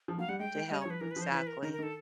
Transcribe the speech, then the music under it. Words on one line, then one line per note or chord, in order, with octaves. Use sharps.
to help Exactly.
F3
F#3 F5
G3 F#5
G#3 G5
G#3
G3 D#5
C#5
F3
B4
E3 A#4
B4
F3
C5
E3 B4
A#4
D#3 A#4
A#4
D#3
A4